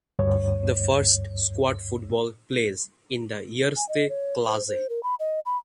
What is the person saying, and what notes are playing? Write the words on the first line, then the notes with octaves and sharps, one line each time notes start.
The first squad football plays in the Eerste Klasse.
D2 G2 C#5
G#5
D#5
C#5
C5
C5
A#4
B5
D#5
B5